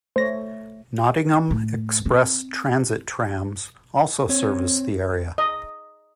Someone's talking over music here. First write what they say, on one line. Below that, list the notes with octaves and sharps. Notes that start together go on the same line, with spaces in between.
Nottingham Express Transit trams also service the area.
A3 C5 C#5 A#6
A2
C4
C4 C#5
D#5